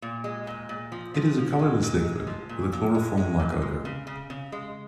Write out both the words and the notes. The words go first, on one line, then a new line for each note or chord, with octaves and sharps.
It is a colourless liquid with a chloroform-like odour.
A#2
G#3
A#2
A#2
F3
F3
F3
G#3
A#2
G#3
F3
A#2
A#2
G#3
G#3
A#2
G#3
C#3
C#3
C#3
G#3